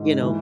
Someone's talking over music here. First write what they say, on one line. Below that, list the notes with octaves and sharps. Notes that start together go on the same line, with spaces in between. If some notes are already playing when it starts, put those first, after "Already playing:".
you know,
Already playing: G#2
E3